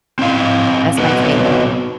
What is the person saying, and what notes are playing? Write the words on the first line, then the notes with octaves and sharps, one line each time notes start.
That's my favorite.
C4 E4 F5
F#3 B3 C4 D#4 F#4 B4